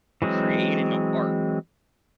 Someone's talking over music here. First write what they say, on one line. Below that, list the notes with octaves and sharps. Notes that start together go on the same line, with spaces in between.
creating of art
E3 F#3 G#3 C4